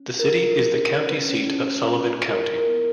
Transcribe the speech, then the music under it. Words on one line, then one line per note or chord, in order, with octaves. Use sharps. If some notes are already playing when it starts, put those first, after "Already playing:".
The city is the county seat of Sullivan County.
Already playing: C#4
F4
A#4
F4
A4
C#4
A4
C#4 B4
C#4
A4
C#4
F4
A4
E4 A#4
E4
A#4
B3